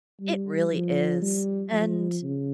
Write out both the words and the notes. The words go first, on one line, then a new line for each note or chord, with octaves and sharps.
It really is. And,
G3
F3
G3
F3
C#3